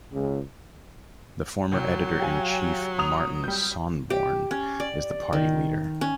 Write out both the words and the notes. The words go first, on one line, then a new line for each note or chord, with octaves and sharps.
The former editor-in-chief Martin Sonneborn is the party leader.
C#2
C2 F#3
G4 F5 G#5
A#5 D#6 F7
G3 G6
G4
C#4
D5
D#3
C#4